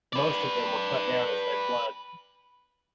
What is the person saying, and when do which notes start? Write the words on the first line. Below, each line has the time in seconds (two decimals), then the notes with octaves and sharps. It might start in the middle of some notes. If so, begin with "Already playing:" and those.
Most of them were cut down as they fled.
0.13 B4 D5